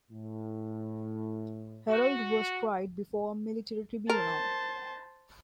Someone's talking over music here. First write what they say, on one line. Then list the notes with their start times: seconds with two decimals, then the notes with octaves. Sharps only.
Herold was tried before a military tribunal.
0.11 A2
1.89 F#4
4.10 A#4 C5 A5